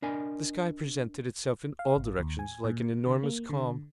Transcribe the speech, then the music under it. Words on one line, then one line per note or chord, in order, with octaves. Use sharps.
The sky presented itself in all directions like an enormous calm.
D4 A#4 D#5 G#5
F5
G#1
D#2
G#5
A#2
D3
A#3
D3